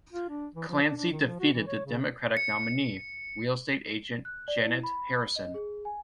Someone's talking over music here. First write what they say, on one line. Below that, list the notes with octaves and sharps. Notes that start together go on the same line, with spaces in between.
Clancy defeated the Democratic nominee, real estate agent Jeannette Harrison.
F4
D4
E3
F3
D4
D4
D#3
F3
F#4
E3
C#5
C#3
C#7
F#6
D5
E4
B5
D#5
G#4
G#5